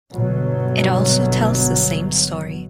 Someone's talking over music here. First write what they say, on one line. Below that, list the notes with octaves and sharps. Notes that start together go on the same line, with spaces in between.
It also tells the same story.
G1 B2 F#3